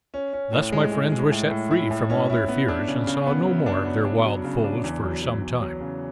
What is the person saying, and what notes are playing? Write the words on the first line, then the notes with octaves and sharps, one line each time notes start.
Thus my friends were set free from all their fears, and saw no more of their wild foes for some time.
C#4
C#4
A2
G#3
G#3
G#3
A2
A2
E4
A2
C#4
E4
B3
D4
C#3
C#3
B3
F#3
D4
B3
D4
F#3
C#3
D4
E2
F#3
F#3
E2
F#3
C#3